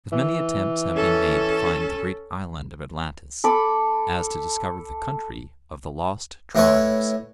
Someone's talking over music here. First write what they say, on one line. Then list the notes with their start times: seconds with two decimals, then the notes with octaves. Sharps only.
As many attempts have been made to find the great island of Atlantis, as to discover the country of the lost tribes.
0.12 E3
0.95 C#4 A4
3.44 A4 B5 D6
6.55 A2 E4 B4 C#5